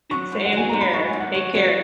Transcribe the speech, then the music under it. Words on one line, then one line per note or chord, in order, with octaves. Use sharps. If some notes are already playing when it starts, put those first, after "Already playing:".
Same here. Take care.
F#3 C#6
G#2
F#5
F#3 G#5
G#2 A#5
B5
F#3 C#6
G#5
G#2
F#5
F#3 C#5
F#3 C#5